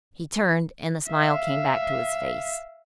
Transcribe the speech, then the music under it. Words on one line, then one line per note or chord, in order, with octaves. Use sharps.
He turned, and the smile came back to his face.
E5 F5